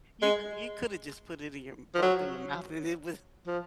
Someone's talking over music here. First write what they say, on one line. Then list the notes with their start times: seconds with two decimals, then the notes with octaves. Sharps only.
you c you coulda just put it in your both in your mouth and it was
0.22 G#3
1.94 F3
2.02 F#3
3.47 F3